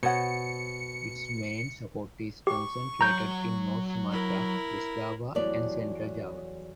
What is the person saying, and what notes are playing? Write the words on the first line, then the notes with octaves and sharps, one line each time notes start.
Its main support is concentrated in North Sumatra, West Java and Central Java.
B2 C5 C#5 F#5 C#7
G4 C#6
F#3 C#5 A#5 G6
E4 A#4
E2 F#3 G3 A3 C#5 D5